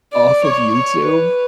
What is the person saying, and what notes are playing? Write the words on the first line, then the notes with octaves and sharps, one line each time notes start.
off of YouTube,
D5
C#5
C#5
B4